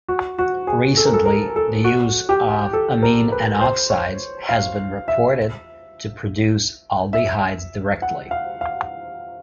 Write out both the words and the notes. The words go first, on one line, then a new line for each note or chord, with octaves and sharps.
Recently, the use of amine N-oxides has been reported to produce aldehydes directly.
F#4
F#4
G#4
A4
A#4
A4
A#4
A4
F#4
G4
A4
A#4
B4
C5
C#5
F5
E5
E5
F#5
F5
F5